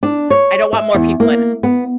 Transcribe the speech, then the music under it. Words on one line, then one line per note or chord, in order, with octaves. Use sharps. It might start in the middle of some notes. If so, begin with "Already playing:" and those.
I don't want more people in
D4
C#5
E5
E2
A#3
B3